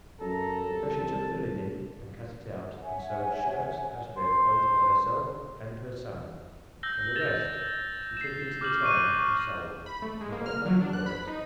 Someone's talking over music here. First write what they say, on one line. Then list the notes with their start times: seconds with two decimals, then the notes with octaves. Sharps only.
So she took the linen and cut it out, and sewed shirts out of it both for herself and her son, and the rest she took into the town and sold, and got money for it.
0.21 F#2 A4 A#5
0.70 C2 A5
2.83 C#5 E5 F#5 G#5
4.17 C5
6.83 E6 G6 A#6 G7
7.16 A6 A#6 E7 F7 G7
8.17 C7 E7
8.61 D6 F6 G6 F#7
8.83 C#6 D6 F#6 D#7
9.86 B5
10.02 A3
10.21 G#3
10.32 A#3
10.46 F6
10.66 F#3
10.81 D4
10.93 F#6
11.06 B5
11.27 D#4